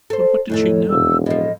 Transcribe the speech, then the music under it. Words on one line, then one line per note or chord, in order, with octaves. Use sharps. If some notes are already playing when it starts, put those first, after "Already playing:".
"But what did she know?"
A4 C5
F2 A2 D#3 A4 C#5
E1 E6
A2 F3 D#5